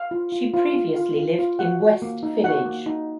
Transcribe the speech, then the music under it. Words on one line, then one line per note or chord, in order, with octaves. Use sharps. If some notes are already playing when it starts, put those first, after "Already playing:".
She previously lived in West Village.
Already playing: F5
F4
F4
F4
F4
F4
F4
F4
F#4 F#5
F#4
A#3
D#4
F#4 F#5
A#3
D#4